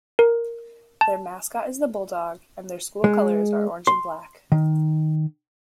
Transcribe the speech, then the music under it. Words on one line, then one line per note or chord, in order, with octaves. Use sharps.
Their mascot is the bulldog, and their school colors are orange and black.
A#4
A5
G#3
C6
D#3